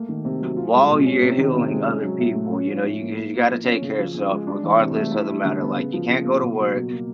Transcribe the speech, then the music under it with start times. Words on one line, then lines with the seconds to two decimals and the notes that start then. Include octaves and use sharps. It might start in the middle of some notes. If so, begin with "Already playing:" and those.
while you're healing other people, you know? You you gotta take care of yourself regardless of the matter. Like, you can't go to work
Already playing: A3 A#3
0.09 D#3
0.25 C3
0.40 F#3
0.57 F4
0.73 G#3
0.90 B2
1.06 C#4
1.22 C3
1.38 D#3
1.54 C3
1.71 G#3
1.87 C#4
2.03 F#3
2.20 A2
2.35 A3
2.52 C#4
2.67 F3
2.84 A2
3.01 A#3
3.17 E4
3.33 A#3
3.49 F3
3.65 C#4
3.82 C#3
3.99 F3
4.14 C#3
4.31 G#3
4.47 D4
4.63 E3
4.79 C3
4.95 A3
5.12 E4
5.28 G3
5.45 D3
5.61 B3
5.77 C#3
5.93 F3
6.09 C#3
6.25 A#3
6.41 B2
6.58 F#3
6.75 B2
6.91 A#3